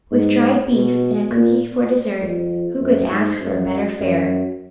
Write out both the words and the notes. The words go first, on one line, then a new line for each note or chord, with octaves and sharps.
With dried beef, and a cookie for dessert, who could ask for better fare?
G#2
B2
A#2
F2
F#2
G#2
F#2
F#2